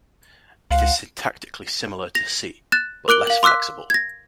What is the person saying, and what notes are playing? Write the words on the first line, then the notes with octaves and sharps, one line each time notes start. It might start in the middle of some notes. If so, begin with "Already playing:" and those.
It is syntactically similar to C, but less flexible.
C#2 F5 F#5 C6
A#6 F7
F#6 A6 E7
A#4 D6 F#6 D7 G7
F5 F#7
C6 D6 E6 F#6 B6
G#6 A#6